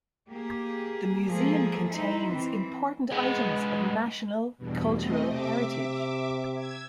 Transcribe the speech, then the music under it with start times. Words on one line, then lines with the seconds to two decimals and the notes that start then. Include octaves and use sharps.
The museum contains important items of national cultural heritage.
0.29 A#3 G4 G#4
1.28 F3 G#3 A#3 G#4 A4
1.89 D#4 E4 C5
2.27 E3 C4
3.12 G#3 B3
4.58 E2 G2 B2
4.97 A3 C4 D#5
5.30 C3 E5 D6
6.55 E6 G#6